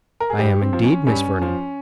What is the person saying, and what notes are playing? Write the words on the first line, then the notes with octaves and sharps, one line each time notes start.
"I am, indeed, Miss Vernon."
A#4
G#4
G2 G4
C4
F3
C#4
G2 C#4
F3